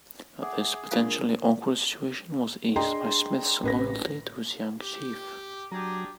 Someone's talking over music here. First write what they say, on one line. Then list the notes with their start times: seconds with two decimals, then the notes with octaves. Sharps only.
This potentially awkward situation was eased by Smith's loyalty to his young chief.
0.42 G#4 E5 F#5 D6
0.91 G#3 D4 F4 A#4
2.76 D4 G#4 D#5 G5 A#5 C6
3.63 A1 B4 A#6
4.81 G4
5.72 F#3 D4 G4 G#4 A#5